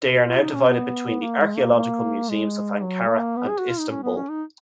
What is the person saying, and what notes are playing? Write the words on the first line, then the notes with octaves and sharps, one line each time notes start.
They are now divided between the archaeological museums of Ankara and Istanbul.
F#4
F4
D#4
C#4
B3
A#3
G#3
A#3
A#3
G#3
F#3
A#3
B3
G#4
F#4
F4
D#4
C#4
B3
C#4
D#4